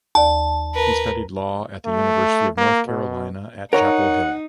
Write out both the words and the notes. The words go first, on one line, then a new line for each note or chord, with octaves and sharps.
He studied law at the University of North Carolina at Chapel Hill.
D#2 D5 A5
A#4 B4
A3
A#3
B2
D#4 A#4 C#5 F#5 A#5